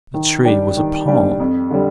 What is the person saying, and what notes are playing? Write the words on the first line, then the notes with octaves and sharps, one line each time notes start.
The tree was a palm.
D#3
G3 D4 G4
D#3
G3 D4 G4
F2
D3 G3